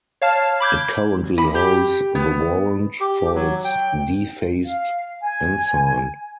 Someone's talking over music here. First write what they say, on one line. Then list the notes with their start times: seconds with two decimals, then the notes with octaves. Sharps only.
It currently holds the warrant for its defaced ensign.
0.22 C#5 F5 A5 F6
0.60 B5 D6 G6 G#6
1.38 B5
1.55 G4
2.15 B3
3.00 G4
3.35 F#3
3.64 G5
4.65 F5
5.21 G#5